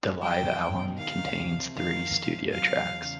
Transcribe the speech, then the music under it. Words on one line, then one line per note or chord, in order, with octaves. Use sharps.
The live album contains three studio tracks.
F#3 G5
E2
B2
D#3 F5
C#2
C3
D#3 F5
F2
C3
F#3 F5
E2
C#3